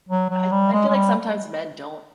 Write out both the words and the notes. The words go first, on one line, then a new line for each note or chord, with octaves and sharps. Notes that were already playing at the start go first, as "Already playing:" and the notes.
I f I feel like sometimes men don't
F#3
F#3
G3
G#3
G#3
G3